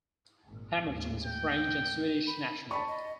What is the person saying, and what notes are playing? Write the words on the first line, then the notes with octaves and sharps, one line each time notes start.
Hamilton is a French and Swedish national.
G#1 A#2
D#2 A2 G#3
G5
A1
B5
D5 A5 B5 C#6
D#5